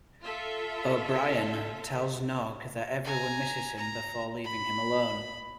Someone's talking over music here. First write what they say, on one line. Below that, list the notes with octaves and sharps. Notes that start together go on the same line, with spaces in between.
O'Brien tells Nog that everyone misses him before leaving him alone.
F4 A4 E5
G#5 A#5
A#5
B5